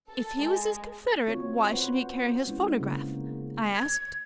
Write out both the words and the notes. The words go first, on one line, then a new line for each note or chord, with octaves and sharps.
"If he was his confederate, why should he carry his photograph?" I asked.
A4
G#3
C4 F4 F#4 C#5
B4 C5 F#5
G#3 B3 C#4 D4 E4
C#3 A#3 A#4
G#6